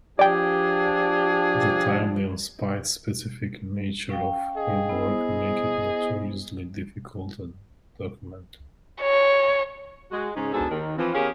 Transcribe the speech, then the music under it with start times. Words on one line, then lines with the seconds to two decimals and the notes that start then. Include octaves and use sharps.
The timely and site-specific nature of her work make it notoriously difficult to document.
0.19 F3 D4 G4 G#4 D5 G5
4.10 C#4 F5 G5
4.56 G#4 D#5
4.89 B3 E4 C5
9.01 C#5
10.11 G#3 F#4
10.35 G#2 C#3 C#4 D#4 G#4
10.53 G#2 B2 D4 G#4 A4
10.70 D#2 D#3
10.97 E3 F3 C4
11.13 E2 C#4 G4 G#4 A#4 F5